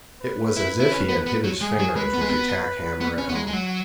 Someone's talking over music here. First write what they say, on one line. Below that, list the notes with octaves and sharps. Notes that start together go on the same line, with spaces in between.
It was as if he had hit his fingers with a tack hammer at home.
B4
E4
E4
C#4
B3
B3
F#3
G#3 G#4
F#3
G#3 B4
B3
G#3
B3
B3
C#4
B3
G#3
G#3
F#3